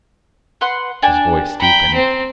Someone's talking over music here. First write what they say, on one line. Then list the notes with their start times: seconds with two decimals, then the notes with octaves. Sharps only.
His voice deepened.
0.61 B4 F#5 C6
1.02 D4 G5 G#5
1.60 G5 A#5 B5
1.94 C4